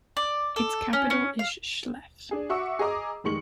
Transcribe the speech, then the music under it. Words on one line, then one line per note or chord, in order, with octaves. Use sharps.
Its capital is Chlef.
D5
A4
C#4
C#4
F5
D4 G#4
F#4 E5 F#5 C#6 D6 E6
G#4 D#5 A#5 D6 D#6
F1 D#3 G#3 C#6 C#7 F#7